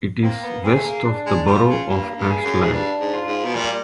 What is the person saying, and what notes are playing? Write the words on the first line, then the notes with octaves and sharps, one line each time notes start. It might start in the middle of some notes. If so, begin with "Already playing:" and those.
It is west of the borough of Ashland.
A#3 C4
B3
C4 G#4
A3
A#3
D4
G#3
G3 F4
C#3
G2 A#3
G2
G#4
F#2
G#2
G2 D4
G#2
F4
G#2
B2
A#2 G3